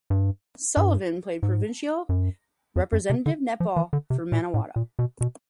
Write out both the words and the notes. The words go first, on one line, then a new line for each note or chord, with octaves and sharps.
Sullivan played provincial representative netball for Manawatu.
G2
G2
G#2
F#2
F2
F#2
C3
D3
F3
E3
D3
C3
A#2
A2
A#2
B2
B2